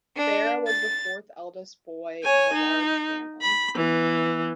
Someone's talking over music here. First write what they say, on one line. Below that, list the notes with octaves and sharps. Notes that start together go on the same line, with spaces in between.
Farah was the fourth eldest boy in a large family.
D4
A6
C#5 G#5
D#4
B5
E3 B3